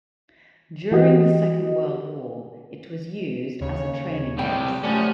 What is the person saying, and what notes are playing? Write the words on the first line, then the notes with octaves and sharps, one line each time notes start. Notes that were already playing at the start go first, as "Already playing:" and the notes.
During the Second World War, it was used as a training base.
E3 F#4 G4 D#5
D#2 C#3 C#5
A2 C3 G3 G5
F#2 F3 G3 A3 C#4 F#5